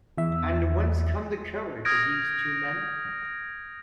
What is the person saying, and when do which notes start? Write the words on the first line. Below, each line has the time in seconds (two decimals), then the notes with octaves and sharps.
And whence come the courage of these two men?
0.18 E2 E5
1.85 D#6 F6 G6 G#6 A#6 D7